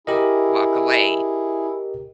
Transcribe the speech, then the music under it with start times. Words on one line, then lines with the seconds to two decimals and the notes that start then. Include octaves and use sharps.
walk away.
0.07 E4 G4 G#4 A#4 D#5